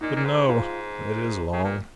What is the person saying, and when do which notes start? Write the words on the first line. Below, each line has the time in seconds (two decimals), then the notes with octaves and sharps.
But no--it is long.
0.01 A#2 D#4
0.16 A#2
0.25 G#2
0.48 G#2 F4
1.52 C#3
1.64 A#2